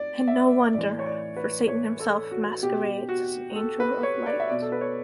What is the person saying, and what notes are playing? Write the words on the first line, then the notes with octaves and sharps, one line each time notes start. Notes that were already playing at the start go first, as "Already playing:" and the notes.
And no wonder, for Satan himself masquerades as an angel of light.
Already playing: D5
E5
A2 E3 D5
C#5
D5
B4
C#5
A4
F#4
B2 G4
F#4
A4
B4
C#5
D5
E5
B2 D5
A4
B4
C#5